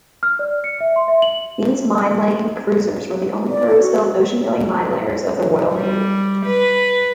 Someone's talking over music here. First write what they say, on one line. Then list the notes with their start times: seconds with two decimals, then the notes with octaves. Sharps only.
These "minelaying cruisers" were the only purpose-built oceangoing minelayers of the Royal Navy.
0.23 F6
0.39 D5
0.64 C#7
0.80 E5
0.96 C6
1.08 E5
1.22 F#7
3.49 D5
3.67 A4
3.79 F#4
5.74 G3
6.46 B4